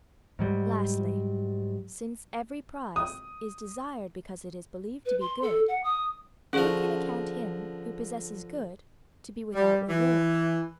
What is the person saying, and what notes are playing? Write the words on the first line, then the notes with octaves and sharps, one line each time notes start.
Lastly, since every prize is desired because it is believed to be good, who can account him who possesses good to be without reward?
G#2 F#3 G3
D#6
B4
C6
A4
F#5
D#6
D3 F3 C#4 G#4 A#4
G3
E3